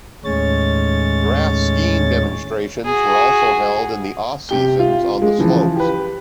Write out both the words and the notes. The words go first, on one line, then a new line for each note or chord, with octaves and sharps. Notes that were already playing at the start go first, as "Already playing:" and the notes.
Grass skiing demonstrations were also held in the off seasons on the slopes.
D#2 A2 G#3 C#4 C#5 A6
F#4 G#4
C3 G4 G7
F4
G#3
C#3 E3 F3
G4 B4